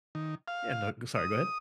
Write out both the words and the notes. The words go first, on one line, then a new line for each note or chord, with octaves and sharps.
yeah, no, g sorry, go ahead.
D#3
F5
D#6